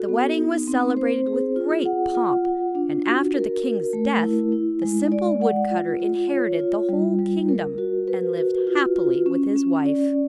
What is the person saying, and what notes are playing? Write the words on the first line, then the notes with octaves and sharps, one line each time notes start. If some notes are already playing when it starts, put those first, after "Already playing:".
The wedding was celebrated with great pomp, and after the king's death the simple wood-cutter inherited the whole kingdom, and lived happily with his wife.
Already playing: F#4 A4
B3
D#4
C4
C5
G#4
F4
F#5
F4
F4
D4
F#4
A#4
A#4
A3
E4
E4
G#3
D5
F#5
F4
F4
C#5
F4
G3
G3
A#4
F#4
B4
F#4
F4
F4
C#4
C#4
D5